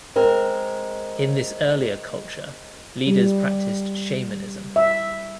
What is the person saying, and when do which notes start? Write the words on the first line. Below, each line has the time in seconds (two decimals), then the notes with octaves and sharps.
In this earlier culture, leaders practiced shamanism.
0.16 G#3 C4 A#4
3.07 G3
4.76 E5